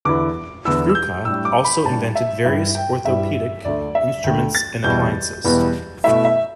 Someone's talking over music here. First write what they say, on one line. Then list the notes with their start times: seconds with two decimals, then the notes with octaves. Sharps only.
Gruca also invented various orthopaedic instruments and appliances.
0.05 E2 D3 B3 E4 D6
0.65 E2 D3 B3 E4 E6
0.89 E6
0.95 G6
1.25 A2 G3 D4 E6
1.45 D6
1.65 B5
1.85 A2 G3 D4 A5
2.15 E5
2.44 G2 G3 E4 E5
2.75 G5
3.05 G2 G3 E4 E5
3.65 D2 D3 A3 D5
3.95 E5
4.24 D2 D3 A3 G5
4.55 A6
4.84 E2 B2 G3 B3 E4 G6
5.44 E2 B2 G3 B3 E4
6.04 B2 A3 E4 E5
6.25 E5